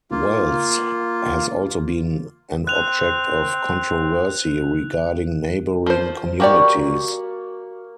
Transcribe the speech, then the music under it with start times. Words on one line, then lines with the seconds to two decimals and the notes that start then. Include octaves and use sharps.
Wells has also been an object of controversy regarding neighbouring communities.
0.11 A#3 F4
2.67 C4 F#6 F7
5.86 F3 C5
6.40 A#3 F#4 G4 D5 C#6